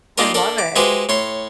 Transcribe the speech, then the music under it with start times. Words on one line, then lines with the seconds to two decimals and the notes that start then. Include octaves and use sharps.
I love it.
0.18 A#3 D4 D#4 F4 G4 A#4
0.34 D4 A4 A#4
0.58 D6
0.76 G#3 E4 F#4 G4 B4 C5
1.09 A2 C#5 C6